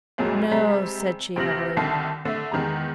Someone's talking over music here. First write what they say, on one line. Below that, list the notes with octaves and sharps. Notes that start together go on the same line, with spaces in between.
'No!' said she, heavily.
C2 F2 A#2 F#3 G#3
C3 G3 G#3 A#5 B6
D2 C3 F3 F6 A#6 F#7
C2 D3 D#3 A5 B6 C7
D3 A3 E5
E2 D#3 G#3 A#5